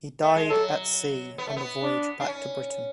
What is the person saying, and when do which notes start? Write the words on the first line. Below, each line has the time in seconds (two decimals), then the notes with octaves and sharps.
He died at sea on the voyage back to Britain.
0.22 A3
0.36 G#3
0.50 F#3 A4
1.38 B3
1.47 A3
1.57 B3
1.83 D4
2.20 D4
2.27 C#4